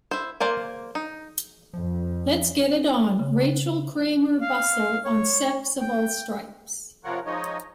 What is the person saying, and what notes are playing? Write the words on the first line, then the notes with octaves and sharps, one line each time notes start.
Let's Get It On: Rachel Kramer Bussel on sex of all stripes.
E4 C5
A#3 C5 D5 G#5
D#4
F2 F3
C#3
F5
C#5
G5
C3 F3 F4 A#4 C#5 F#5
F3 G#3 D#4 C#5 D#5